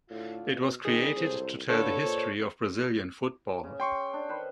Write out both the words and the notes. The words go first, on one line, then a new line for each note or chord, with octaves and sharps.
It was created to tell the history of Brazilian football.
A2 D3 A3 F4
B2
C3 D#3 G3 G#4
C2 F#3 A4 C5
D3 F4 A4 B4 C#5
A#2 D4 C5
C#3
G5 C6 C#6
D4
D#3 B4 C5